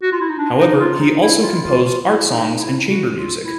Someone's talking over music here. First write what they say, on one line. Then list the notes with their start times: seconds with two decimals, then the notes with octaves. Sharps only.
However, he also composed art songs and chamber music.
0.03 F#4
0.12 F4
0.21 E4
0.29 D#4
0.38 D4
0.59 D#4
0.79 F4
1.00 D#4
1.21 E4
1.42 F4
1.63 F4
1.84 F4
2.04 E4
2.32 D#4
2.59 E4
2.87 F#4
3.15 F4
3.43 E4